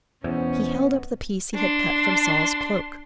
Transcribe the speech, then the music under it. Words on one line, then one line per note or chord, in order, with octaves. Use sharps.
He held up the piece he had cut from Saul's cloak.
E2 B2 C#4 C5
D4 C6